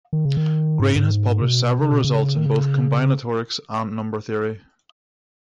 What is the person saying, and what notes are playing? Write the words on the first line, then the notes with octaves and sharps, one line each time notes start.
Green has published several results in both combinatorics and number theory.
D#3
C#3
D#3
G#2
G#2
C#3
B2
C#3
B2
C#3
D#3
C#3